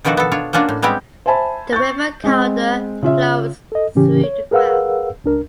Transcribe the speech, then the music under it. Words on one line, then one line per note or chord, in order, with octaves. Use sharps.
The River Calder flows through the grounds.
B2 D#3 F3 D4 F#4 A4
B3 A4
D4 F4 C#5
A#3 C#4 D4 F4 F#4
A2
G3 G#3 B3 C4 G4
C5 E5 G#5 A5 B5
C#6 G6 A6
G#3 C4
C#3 F4 E5
A4 D#5
A2 C#3 E3 C#4 G4
C#5
G#4 A#4 B4 F5 F#5 E6
C#2 D4 A#4